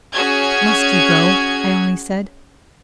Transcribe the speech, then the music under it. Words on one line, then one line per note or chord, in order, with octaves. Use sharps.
"Must you go?" I only said.
C#4 F#4 G#4 G#6